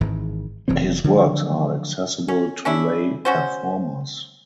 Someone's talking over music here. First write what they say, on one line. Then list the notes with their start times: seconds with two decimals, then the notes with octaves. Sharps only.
His works are accessible to lay performers.
0.01 G#1 G#2 E3
0.68 F1 E3 F#3 C4
1.04 D3 F3 F#3
2.28 C#4
2.65 C#4 D4 E4
3.25 C#4 F#4 C5